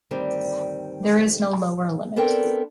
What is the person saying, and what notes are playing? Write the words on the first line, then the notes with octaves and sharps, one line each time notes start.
There is no lower limit.
D2 G2 D#3 G3 C4
B3 C4 D4 A4 A#4 G5